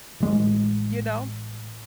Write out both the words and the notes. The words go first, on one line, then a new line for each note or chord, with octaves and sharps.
you know?
A1 G#3